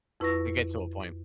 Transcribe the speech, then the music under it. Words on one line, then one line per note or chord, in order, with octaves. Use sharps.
It gets to a point.
F2 E4 B4 C#6 E6 A#6